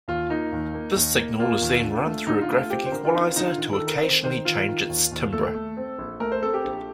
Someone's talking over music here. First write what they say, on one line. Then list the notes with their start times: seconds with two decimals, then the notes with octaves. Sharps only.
This signal is then run through a graphic equaliser to occasionally change its timbre.
0.08 D#2 F4
0.30 A#3 D#4
0.52 D#2
0.74 A#3
0.96 D#2
1.17 A#3
1.39 A#3 F4
1.61 D#2
1.83 D3
2.05 A3
2.27 D3 D#4
2.41 F4
2.49 A3
2.56 F4
2.70 C4 G4
2.86 C5
2.92 D3 A#4
3.05 F4
3.14 C4 D#4
3.26 F4
3.36 D3 D#4
3.47 F4
3.58 D#3
3.73 A4
3.81 D#3
3.87 A#4
4.02 C4 C5
4.23 D#3 C5
4.45 D#3 F4
4.68 D#3
4.89 D#2
5.12 D#2
5.33 A3 A4
5.55 A3
5.77 C4
5.99 A#1
6.20 A3 A#4
6.32 C5
6.43 C4 A4
6.54 G4
6.64 A#1